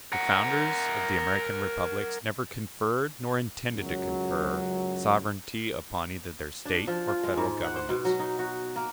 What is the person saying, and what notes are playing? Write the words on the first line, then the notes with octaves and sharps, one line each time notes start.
The founders of the American republics never conferred, nor intended to confer, sovereignty upon either their State or Federal Governments.
A#4 F#5
C#2 F#2 F#3
D4
F3
F4
G#3
G#2
F#5
C5
B2
F#3
D#4
F#4
A#3